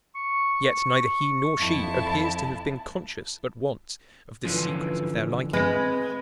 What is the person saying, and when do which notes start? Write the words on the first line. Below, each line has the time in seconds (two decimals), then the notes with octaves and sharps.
Yet neither he nor she appears to have been conscious at once of the secret of their liking.
0.15 C#6
1.58 F2 E4 A5
4.45 D3 E3 F3 C#4 F4 B4
5.53 G#3 C4 B4 G#5